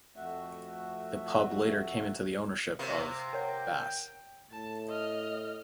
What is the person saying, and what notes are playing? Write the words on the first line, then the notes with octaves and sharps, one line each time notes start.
The pub later came into the ownership of Bass.
F2 A3 F#4 E5
C3 A#3
A#4 C#5 F#5 G5
A2 A5
D#5 F6